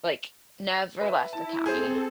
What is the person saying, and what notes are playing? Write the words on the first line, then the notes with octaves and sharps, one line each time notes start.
Like, never left the county.
B4 E5
E4 A5
C4 G#4 A4 C5